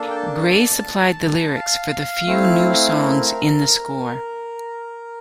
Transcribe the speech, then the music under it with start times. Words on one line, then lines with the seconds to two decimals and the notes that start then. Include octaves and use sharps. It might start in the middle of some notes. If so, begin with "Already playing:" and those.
Grey supplied the lyrics for the few new songs in the score.
Already playing: A#3 D4 A4
0.10 G5
0.16 A5
1.56 F5
2.27 A3 C4 E4
2.97 A#4